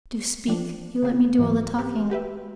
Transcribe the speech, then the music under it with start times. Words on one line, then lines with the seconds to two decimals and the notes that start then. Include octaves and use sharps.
Do speak! You let me do all the talking.
0.47 E3 F3 C4 D4
1.02 C#3 A#3 C4
1.39 G#2 E3 F#3
1.78 B3 C4 G4
2.10 F#4 G4 B4 E5